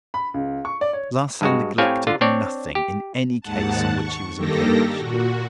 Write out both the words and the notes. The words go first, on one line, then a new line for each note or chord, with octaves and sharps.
Larsan neglected nothing in any case on which he was engaged.
B5
C#2
C#6
D5
C#5
G2 G#3 F#4
A2 C4 G4 C#5 F5 G#5
D3 F4
C4 D4 C#5 D5
G4
D#2 G#2 F#5 A5
C#6
G2 D#3 A#3 G4 A4 A#6
A#2 F#4